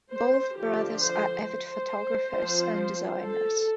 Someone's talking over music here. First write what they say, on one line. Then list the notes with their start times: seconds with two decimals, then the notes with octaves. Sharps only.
Both brothers are avid photographers and designers.
0.13 C5
0.58 D3 F3 D4 G4
1.01 C5
1.46 C5
2.34 F3 C4
3.22 A4